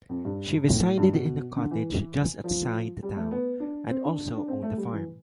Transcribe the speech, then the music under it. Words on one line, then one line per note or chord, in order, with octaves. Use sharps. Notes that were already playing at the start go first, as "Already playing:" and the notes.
She resided in a cottage just outside the town, and also owned a farm.
F2
G2
A2
G2
B2
D3
E3
F3
G3
A3
B3
D4
C4
D4
D4
C4
A3
G3
E3